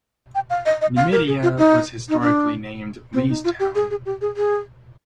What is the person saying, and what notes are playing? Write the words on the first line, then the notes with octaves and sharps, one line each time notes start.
Numidia was historically named "Leestown".
G5
F5
D#5
D#5
F5
A#4
G#4
F4
D#4
D#4
D4
C4
D#4
F4
G4
G#4
G#4
G4
G#4
G#4